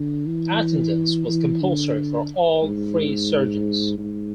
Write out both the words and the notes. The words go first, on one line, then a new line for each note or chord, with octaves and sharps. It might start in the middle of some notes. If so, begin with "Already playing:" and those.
Attendance was compulsory for all 'free' surgeons.
Already playing: D3
E3
E3
D3
G#2
G#2